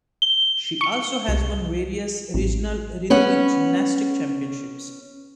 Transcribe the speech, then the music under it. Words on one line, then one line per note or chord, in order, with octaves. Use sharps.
She also has won various regional rhythmic gymnastics championships.
G7
C#6 C#7
C2
A1
B3 C#4 F#5